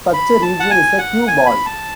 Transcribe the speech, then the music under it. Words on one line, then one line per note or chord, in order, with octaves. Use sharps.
Such a region is a Q-ball.
B5
A5
F#5
G#5
F#5
G#5
B5
A5